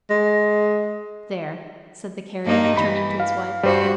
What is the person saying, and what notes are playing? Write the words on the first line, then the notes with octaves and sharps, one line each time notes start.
"There!" said the Carrier, turning to his wife.
G#3
G2 A#3 D#4
E3 B5
F5
G2 G3 F#4 C5